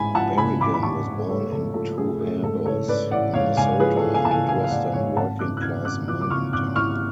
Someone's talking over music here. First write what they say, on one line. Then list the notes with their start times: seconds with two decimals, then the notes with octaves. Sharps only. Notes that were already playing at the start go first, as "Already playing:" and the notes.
Berrigan was born in Two Harbors, Minnesota, a Midwestern, working-class, mining town.
Already playing: A1 G#2 G#5 B5
0.15 F3 F#5 A5
0.38 G#2 G#5 B5
0.60 A1 B5 D6
0.74 B5
0.83 A1 A5 C#6
1.06 G#2
1.29 A3 A4 C#5
1.52 G#2 A4
1.74 F3 A4
1.97 A3 G#4
2.21 A3 G#4
2.42 G#2 A4
2.65 A1 A4 C#5
2.88 G#2 B4 D5
3.11 A1 D5 F#5
3.34 G#2 C#5 F5
3.57 G#2 F5 G#5
3.79 F3 G#4 B4
3.97 A4
4.03 A1
4.14 F5 G#5
4.25 A1 A5
4.31 F5 G#5
4.48 A1 F5 G#5
4.64 F5
4.71 A1 D5 F#5
4.93 G#2 C#5 F5
5.16 G#1 F#5 A5
5.39 F#2 D6 F#6
5.57 F#6
5.62 G#1 F6 G#6
5.85 F#2 D6 F#6
6.08 F3 D6 F#6
6.21 D6
6.30 G#1 C#6 F6
6.53 G#1 D6 F#6
6.76 G#1 C#6 F6